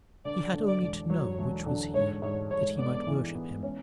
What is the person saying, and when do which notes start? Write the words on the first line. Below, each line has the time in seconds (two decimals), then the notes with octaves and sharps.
He had only to know which was he, that he might worship him.
0.25 D3 D5
0.53 D3
0.68 D5
0.82 E1
1.10 F#3 C#5
1.38 E1
1.66 D3
1.94 G#2 C#5
2.22 G#2 C#5
2.51 G#2 C#5
2.78 B3 D5
3.07 E3
3.35 B3
3.63 C#4